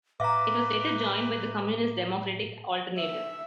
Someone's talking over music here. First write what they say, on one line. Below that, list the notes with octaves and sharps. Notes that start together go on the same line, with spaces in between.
It was later joined by the communist Democratic Alternative.
A2 B4 E5 F5 A#5 D6
E5